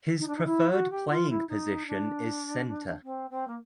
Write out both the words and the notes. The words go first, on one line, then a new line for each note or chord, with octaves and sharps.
His preferred playing position is centre.
D#4
D4
D#4
E4
F#4
G4
F4
E4
D#4
D4
C4
C4
A#3